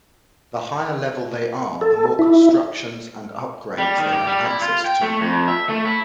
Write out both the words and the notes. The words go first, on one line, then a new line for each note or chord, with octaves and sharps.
The higher level they are the more constructions and upgrades they have access to.
A4
E4
G3
D#3
G4
G3
E4
F4
G5
A3
F2
E5
A3
E4